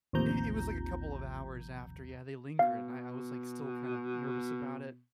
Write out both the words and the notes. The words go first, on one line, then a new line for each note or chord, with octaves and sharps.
It it was like a couple of hours after, yeah, they linger, and I I was, like, still kind of nervous about it.
A1 D#2 C3 F3 A#5 G6
B2 F5